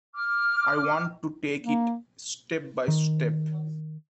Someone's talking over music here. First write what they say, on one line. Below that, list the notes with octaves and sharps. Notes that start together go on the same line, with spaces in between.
I want to take it step by step.
D6 F6
A#3
D#3